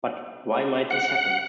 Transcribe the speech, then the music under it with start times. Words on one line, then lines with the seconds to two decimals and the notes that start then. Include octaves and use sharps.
But, why might this happen?
0.91 F#5